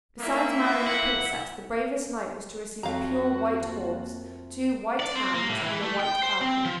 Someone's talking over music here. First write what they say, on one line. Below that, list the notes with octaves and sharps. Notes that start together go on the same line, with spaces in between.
Besides marrying the Princess, the bravest knight was to receive a pure white horse, two white hounds, and a white falcon.
A#3 C4 E4 E5
F#5
F2 F#3 A3 C4 F#4 F5 A#5
F3 A#3
D5
C4
A#3
A2
E3
A3
G5
C5
C4
F3